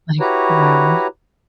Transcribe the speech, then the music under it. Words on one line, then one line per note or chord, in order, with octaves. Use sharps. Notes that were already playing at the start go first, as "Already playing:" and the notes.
like, wow.
E4 F#4 G4 B4 C#5 A#5